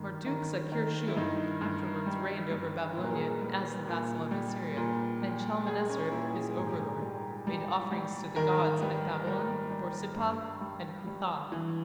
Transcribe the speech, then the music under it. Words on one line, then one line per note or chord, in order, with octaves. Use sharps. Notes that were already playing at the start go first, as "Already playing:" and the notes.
Marduk-zakir-shum afterwards reigned over Babylonia as the vassal of Assyria, and Shalmaneser, his overlord, made offerings to the gods at Babylon, Borsippa, and Cuthah.
Already playing: G2 D#3 B3
D#3
D#3
E4
G2 D#4
G2
G3
G2
A#2 B4
A#4
G#4
A#4
G3 B4
A#2
G3
A#2
G3
G3 G#4
C#4
A#2 E4
G#4
G#2 G#4
G4
G#4
G3
G3
G3
D#3 A#4
G3 B4
G3 A#4
G3
G2
G3
G3
E3